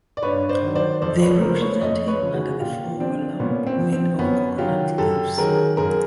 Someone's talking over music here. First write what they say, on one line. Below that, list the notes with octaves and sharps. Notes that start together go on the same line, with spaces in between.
They represent him under the form of a lamp made of coconut leaves.
D5
G2 B4 C#5
C5 D5
D#3 F#3
C5 D5
F2 C5 D5
B4 C#5
C#3 F3 A#4 C5
B4 C#5
F2 C#5 D#5
B4 C#5
C#3 F3
F#4 G#4
A#2 F4 G4
F3 C4 D4
A#2 B3 C#4
C4
F3
C4
F#2 B3 C#4
D#3 F#3 F4 G4
F#2 G4 A4
D#3 F#3 G#4 A#4
F#2 G#4 A#4